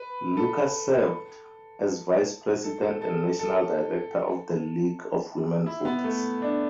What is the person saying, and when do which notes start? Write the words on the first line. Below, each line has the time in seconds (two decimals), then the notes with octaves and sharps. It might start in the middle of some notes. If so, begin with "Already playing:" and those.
Lucas served as Vice President and National Director of the League of Women Voters.
Already playing: B4
0.37 A4
2.64 A4
2.83 A4
3.02 A4
3.39 A4
5.66 E4
5.85 B3
6.04 A3
6.42 D4